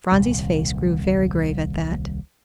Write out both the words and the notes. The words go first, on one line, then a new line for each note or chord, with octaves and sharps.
Phronsie's face grew very grave at that.
D#1 C2